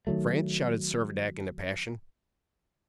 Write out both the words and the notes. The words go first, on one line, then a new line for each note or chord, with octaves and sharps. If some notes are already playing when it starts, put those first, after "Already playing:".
"France!" shouted Servadac in a passion.
D#3 E3 F#3 A3